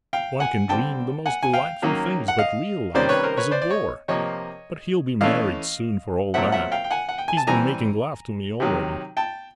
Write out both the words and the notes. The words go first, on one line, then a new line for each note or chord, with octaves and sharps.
One can dream the most delightful things, but real life is a bore.' But he'll be married soon for all that; he's been making love to me already.
F5 G5
F#5 G#5
D3 G3 C4 G5 A5
F#5 G#5
G#5
F5 G5
D#3 F#3 A#3 C#4
F#5
D#5 F5
C3 D#3 G3 A#3 C#4 C5 D5
B4 C#5
A#4 C5
B4 C#5
C5 D5
D5
C#5 D#5
C3 F3 A#3 C#5 D#5
E3 A3 C#4 D#5 F5
A#2 F#3 A3 C4 E5 F#5
E5 F#5
F5 G5
G5
F#5 G#5
F#5
G5
G#5
A5
E3 G3 C4 G#5 A#5
C3 D#3 F#3
G5 A5